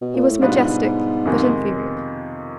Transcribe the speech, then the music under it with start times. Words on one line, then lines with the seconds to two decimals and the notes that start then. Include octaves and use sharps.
He was majestic, but inferior.
0.02 B2
0.15 A#2
0.27 A2
0.41 G#2 B2 G3 B3 D4 F4
1.25 F2 C3 D#3 G#3